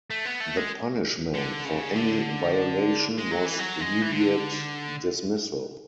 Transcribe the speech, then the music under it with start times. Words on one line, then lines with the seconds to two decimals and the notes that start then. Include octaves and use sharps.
The punishment for any violation was immediate dismissal.
0.10 A3
0.25 B3
0.40 A3
0.57 G#3
1.34 D3
1.65 C#3
1.96 D3
3.18 G#3
3.31 F#3
3.46 E3
3.59 F#3
3.80 G#3
4.02 E3
4.12 D3